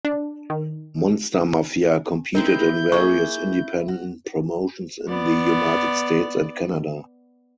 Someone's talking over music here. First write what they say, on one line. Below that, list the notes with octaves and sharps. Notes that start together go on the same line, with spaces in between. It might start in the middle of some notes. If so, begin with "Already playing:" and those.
Monster Mafia competed in various independent promotions in the United States and Canada.
D4
D#3
G#3 C4 D#4 E4 A#4 G6
A#3 G#4 C#6
F#4
B3 D5